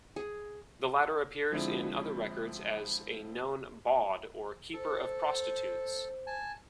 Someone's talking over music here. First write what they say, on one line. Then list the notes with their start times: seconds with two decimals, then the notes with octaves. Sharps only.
The latter appears in other records as a known "bawd", or keeper of prostitutes.
0.16 G#4
1.51 D3 F3 G#3 C4 D4 E4
4.74 A4 C5
6.27 G#5 A5